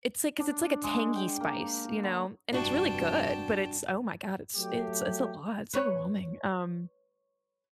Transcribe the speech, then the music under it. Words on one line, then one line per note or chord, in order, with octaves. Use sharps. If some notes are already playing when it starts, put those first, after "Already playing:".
it's like 'cause it's like a tangy spice, you know, and it's really good, but it's, oh, my god, it's it's it's a lot, it's overwhelming, um
D4
G#3
G5
A#3
D3
F1 G2 D4 F#4 G5 A5
F#3 A3 G4
B4 C#5